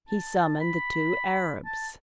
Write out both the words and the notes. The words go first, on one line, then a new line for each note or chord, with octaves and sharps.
He summoned the two Arabs.
A5
B5
A5